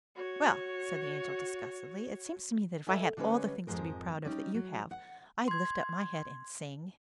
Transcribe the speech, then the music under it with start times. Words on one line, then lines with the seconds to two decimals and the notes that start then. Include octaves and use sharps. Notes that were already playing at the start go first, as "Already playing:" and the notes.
"Well," said the Angel disgustedly, "it seems to me that if I had all the things to be proud of that you have, I'd lift up my head and sing!"
0.15 F#4 C#5
2.87 A4 D#5 E5 G#5
3.17 D3 G3 G#3 C#4 B4 C#5
3.67 F2 G#2 C#3 F3 G#3 A#4
4.25 G3 C#4 D#4
4.54 F#3
4.91 F#5
5.48 C6 G#6